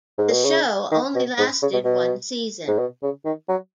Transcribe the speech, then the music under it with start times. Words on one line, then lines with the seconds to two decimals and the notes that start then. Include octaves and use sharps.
The show only lasted one season.
0.18 G#2
0.32 B2
0.44 C#3
0.91 D#3
1.15 B2
1.39 G#2
1.62 C#3
1.73 B2
1.85 B2
2.68 G#2
2.79 B2
3.03 C#3
3.25 D#3
3.49 F#3